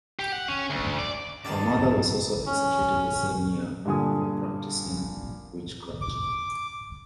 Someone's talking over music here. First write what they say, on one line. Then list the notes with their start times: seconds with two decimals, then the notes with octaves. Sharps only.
Her mother was also executed the same year for practicing witchcraft.
0.19 G4
0.32 F#5
0.48 C#4
0.70 D2
0.99 D5
1.45 F#2 D#3 D5 G5 A5 C6
2.46 C#4
3.85 G2 A#2 D3 G#5 D#6
6.01 D6